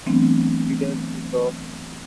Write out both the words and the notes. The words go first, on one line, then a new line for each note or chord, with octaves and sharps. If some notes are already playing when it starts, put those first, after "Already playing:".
He does switch off.
E3 F#3 A3 B3 C4 D4